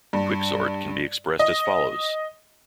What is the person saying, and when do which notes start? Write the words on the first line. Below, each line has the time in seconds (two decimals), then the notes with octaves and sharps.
Quicksort can be expressed as follows.
0.13 G2
1.39 D#5